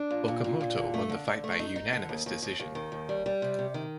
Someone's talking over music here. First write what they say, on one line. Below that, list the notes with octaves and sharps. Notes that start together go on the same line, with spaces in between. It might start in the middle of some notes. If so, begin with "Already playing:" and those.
Okamoto won the fight by unanimous decision.
Already playing: D4
A#2
A#2
A#2
A#2
D3
A3
D3
D3
A3
D#4
D#4
D3
D#2
D#2
D#2
D#2
D#3
D#2
G3
G3
C3
C3
D#3